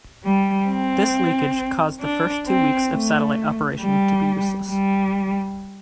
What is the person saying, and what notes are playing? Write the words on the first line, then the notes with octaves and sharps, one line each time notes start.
This leakage caused the first two weeks of satellite operation to be useless.
G3
C4
D4
C4
A3
G3
G3